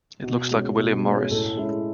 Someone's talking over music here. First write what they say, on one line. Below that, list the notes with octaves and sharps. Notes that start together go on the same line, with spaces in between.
It looks like a William Morris.
B2
G#3 C#4
B2
G#3 C#4
A2 A4
G#3 C#4 E4